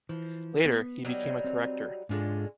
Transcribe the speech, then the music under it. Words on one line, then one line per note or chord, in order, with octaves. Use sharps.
Later, he became a corrector.
E3 F3
B3
F#3 G3 D#4
C4
G#2 D3 G#3 C#4 D4 F4